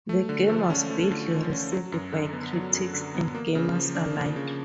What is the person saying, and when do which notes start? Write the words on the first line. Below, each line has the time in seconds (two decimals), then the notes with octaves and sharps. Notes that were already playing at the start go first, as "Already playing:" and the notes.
The game was badly received by critics and gamers alike.
0.09 A3
0.29 D3
0.49 F3
0.70 C#4
0.90 A3
1.11 D3
1.31 F3
1.51 C#4
1.72 F#3
1.92 F#2
2.12 D3
2.33 B3
2.53 F#3
2.73 F#2
2.93 D3
3.14 B3
3.35 A#3
3.55 C#3
3.75 F3
3.95 D4
4.16 A#3
4.36 C#3